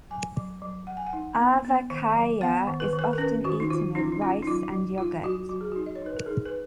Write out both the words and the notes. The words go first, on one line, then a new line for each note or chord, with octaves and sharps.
Aavakaaya is often eaten with rice and yogurt.
F#3 G#5
F#3
F#3
F#3 F#5
G#5
F#5
D#4
B3
B3
D#3
F#3
B3 F#5
D#3
B4
D#3
B4
A#4
C#4 B4
D#3 F#4
D#4
D#3 F4
C#4 D#4
F4
D#4
C#4 F4
D#4
F#3 F4
F#3
D#4 F4
F#3 F#4
F#3 F#4
G#4
D#4 F#4
D#5
C#5
D#4 B4
A#4
D#4 G#4
B4